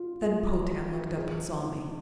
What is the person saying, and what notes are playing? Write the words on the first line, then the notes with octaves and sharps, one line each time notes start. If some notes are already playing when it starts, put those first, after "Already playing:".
Then Potan looked up and saw me.
Already playing: F4
G#4
F4
G#4
D#4